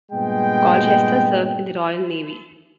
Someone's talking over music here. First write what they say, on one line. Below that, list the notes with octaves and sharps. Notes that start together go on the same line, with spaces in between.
Colchester served in the Royal Navy.
G2 A#2 G#3 B3 G5